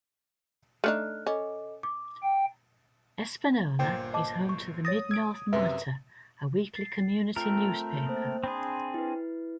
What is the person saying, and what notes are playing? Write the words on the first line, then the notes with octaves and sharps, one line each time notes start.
Espanola is home to the "Mid-North Monitor", a weekly community newspaper.
A3 D4 D#4 F6 F#6
C#4 A4 D#5 D6
D6
G5
G1 A#2 C5 G5
D#5 A5 D6
C#6
C#5 D#6 A6 A#6
E6 G#6 D7
F#2 C3 B4 E5
A6 C7
A3 C4 F4 A#4
A#3 C5
C4 D4 G#4 B5 C6
E4 B4